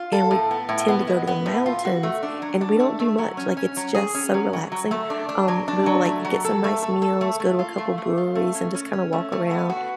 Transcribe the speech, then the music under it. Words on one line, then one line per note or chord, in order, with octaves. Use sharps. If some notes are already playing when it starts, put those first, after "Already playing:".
and we tend to go to the mountains, and we don't do much, like, it's just so relaxing, um, we will, like, get some nice meals, go to a couple breweries, and just kinda walk around,
Already playing: F4
A4
A2
B3
A2
B3
G#3
B3
A2
F4
F#4
A3
D4
F#3
D4
A3
A3
F#3
C#4
C#4
F#3
G#4
C#4
F#3
F#3
F#3
A3
D4
D4
F#3
D4
F#3
A3
F#3
A4
A3
A4
A4
A3
A3
F4
A3
A3
F4
A3
C#4
C#4
C#4
A3
A3
B3
F#4